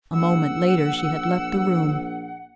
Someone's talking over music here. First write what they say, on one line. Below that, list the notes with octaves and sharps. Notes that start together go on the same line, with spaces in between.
A moment later she had left the room.
A#1 F#5 E6